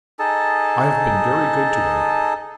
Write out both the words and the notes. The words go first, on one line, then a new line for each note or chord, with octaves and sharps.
I have been very good to her.
D#4 G#4 A4 A5